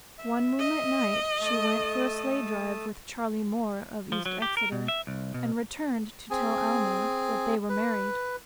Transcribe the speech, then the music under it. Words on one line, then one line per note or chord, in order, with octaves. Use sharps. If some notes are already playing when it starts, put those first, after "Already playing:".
One moonlight night she went for a sleigh-drive with Charlie Moore of East Exeter--and returned to tell Alma that they were married!
E5
D#5
A3 A4 D#6
F3
F#3
G4
A#4
B2
E5
C2
B2
C4 G#4 G#5
B4